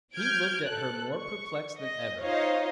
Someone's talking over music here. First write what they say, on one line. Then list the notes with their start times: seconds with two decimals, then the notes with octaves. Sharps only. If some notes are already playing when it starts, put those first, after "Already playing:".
He looked at her more perplexed than ever.
0.15 F6 G6 G#6 D7
0.65 A4 F#6
1.16 C#6
1.80 D#5
2.23 D#4 F4 C5 C#5 D#5 F5